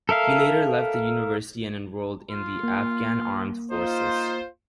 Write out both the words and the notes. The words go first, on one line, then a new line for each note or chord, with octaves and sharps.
He later left the university and enrolled in the Afghan Armed Forces.
A4 A#4 E5 F5
F4
A#3
D#4 F4 C5